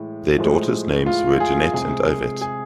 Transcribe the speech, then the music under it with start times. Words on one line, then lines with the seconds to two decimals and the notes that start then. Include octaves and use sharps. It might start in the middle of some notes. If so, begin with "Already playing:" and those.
Their daughters names were Jannette and Ivette.
Already playing: A2 E3 G#3
0.38 A2 F3 G#3
1.06 F4
1.40 G#4
1.73 C3 G#3 G#4
2.41 G#4